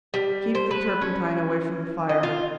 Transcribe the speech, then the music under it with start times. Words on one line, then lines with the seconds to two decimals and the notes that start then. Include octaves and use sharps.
Keep the turpentine away from the fire.
0.14 G3
0.55 C5
0.71 B4
1.02 C#4
2.09 D#5
2.23 F4